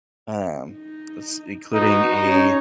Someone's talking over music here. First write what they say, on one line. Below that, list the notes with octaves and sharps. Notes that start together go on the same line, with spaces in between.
um, s including a,
D#4
D#4 F#4 B4
C#4 C#5